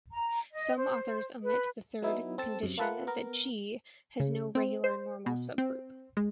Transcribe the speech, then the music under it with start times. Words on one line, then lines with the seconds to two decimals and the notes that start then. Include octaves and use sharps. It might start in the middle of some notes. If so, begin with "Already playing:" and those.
Some authors omit the third condition that "G" has no regular normal subgroup.
0.12 A#5
0.52 D#5
0.76 C5
1.43 B4
2.02 F#3 B3 D#4 E4
2.38 C4 A4 A5
2.63 F#2 C3
2.78 A#3 F4 A4 B4 E5 F#5
3.07 B3 A#4
4.20 C#3
4.55 C4
4.84 C5
5.26 B2
5.58 C4
6.17 G#3